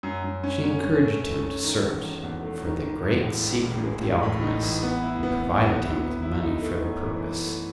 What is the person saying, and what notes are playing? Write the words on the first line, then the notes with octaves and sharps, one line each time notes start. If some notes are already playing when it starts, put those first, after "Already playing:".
She encouraged him to search for the great secret of the alchymists, and provided him with money for the purpose.
F#2
F#2
C#4
C#4
C#4
A3
A3
C#4
D#3
E1
E1
E2
A3
D#3
D#3
E1
A2
A1
A1
G#3
A2
A2
D#4
A1
B3
E4
B3
B3
B3
E4
B3
E4
D#4
A3
F#2
E3
E3
A3